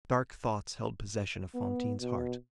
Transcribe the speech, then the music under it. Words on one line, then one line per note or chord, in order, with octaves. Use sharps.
Dark thoughts held possession of Fantine's heart.
B3
B2